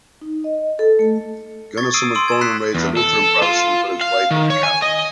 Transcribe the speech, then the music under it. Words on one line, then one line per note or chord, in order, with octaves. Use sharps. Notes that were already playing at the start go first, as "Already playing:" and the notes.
Gunnarsson was born and raised a Lutheran Protestant, but his wife was a Catholic.
D#4
D#5
A4
A3
C#6 G#6 A6
D#6 E6 C7 D7 D#7
C6 E6 D7
G#6 E7
F#6 B6 C7 E7
E2
A4
F4
F5
D#3
C#5
G#5
D#5